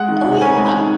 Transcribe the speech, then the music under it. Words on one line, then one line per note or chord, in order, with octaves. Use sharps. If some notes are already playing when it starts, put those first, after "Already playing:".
Oh, yeah.
Already playing: G#3 F#5
D#3
C3
C#4 G#5
G#3
D#3